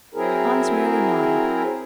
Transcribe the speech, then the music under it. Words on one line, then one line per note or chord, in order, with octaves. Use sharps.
Hans merely nodded.
F#3 C4 E4 G#4 A#4